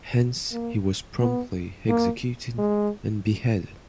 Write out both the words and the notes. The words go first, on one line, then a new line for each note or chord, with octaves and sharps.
Hence he was promptly executed and beheaded.
A#3
B3
A#3
G#3